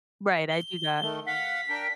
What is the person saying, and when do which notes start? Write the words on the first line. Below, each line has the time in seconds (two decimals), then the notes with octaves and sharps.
Right, I do that.
0.50 G7
1.01 D#3 A3
1.27 F5 F#5 B6
1.69 D4 A#4 G5